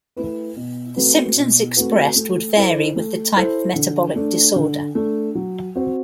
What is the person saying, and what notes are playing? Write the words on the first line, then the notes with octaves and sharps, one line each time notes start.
The symptoms expressed would vary with the type of metabolic disorder.
A3 E4 B4
B2
A3 C4 F#4 B4
B2
A3 C4 F#4 B4
A3
E4 A4 C5
A3
E4 A4 C5
D3
A3 D4
D3
A3 D4
F#3
C4 F#4 C5